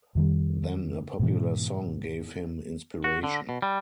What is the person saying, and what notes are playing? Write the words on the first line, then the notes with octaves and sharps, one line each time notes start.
Then a popular song gave him inspiration.
F2 D#3 G3
G#2 B2 E3
F#4
D3
B2
G3